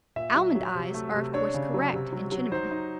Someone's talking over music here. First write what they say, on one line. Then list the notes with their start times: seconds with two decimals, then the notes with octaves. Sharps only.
Almond eyes are of course correct in Chinamen.
0.16 A#2 E5
0.35 F#3
0.55 F#3
0.75 C3
0.94 A3
1.14 C3
1.34 D4 C#5
1.54 C#3
1.74 F#3
1.93 C3
2.12 F#3
2.32 F#3
2.52 D#4 C5
2.71 D#4